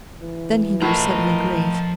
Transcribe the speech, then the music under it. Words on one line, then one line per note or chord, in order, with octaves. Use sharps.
Then he grew suddenly grave.
E3
A2 F3 A#4 D#5 A#5